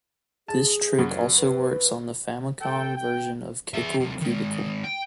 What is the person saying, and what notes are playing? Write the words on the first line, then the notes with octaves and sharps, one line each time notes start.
This trick also works on the Famicom version of "Kickle Cubicle".
G#4 A5
F#2 C#3
F#4
B4
A4 G5
G5
G#4 E5
C3 F#3
D#3 G#3
G5